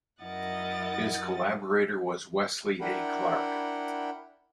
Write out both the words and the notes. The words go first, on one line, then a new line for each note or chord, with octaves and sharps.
His collaborator was Wesley A. Clark.
F#2 E4 A#4 D#5 F#5 A6
D4 E4 A#4 F#5 G5 B5